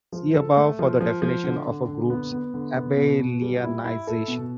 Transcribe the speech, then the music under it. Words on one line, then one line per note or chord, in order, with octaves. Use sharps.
See above for the definition of a group's abelianization.
F3
A4
A3
F3
F3
F3
D3
D3
D3
B3
B3
D3
B3
B2
B2
G3
E4
E4
A4
B2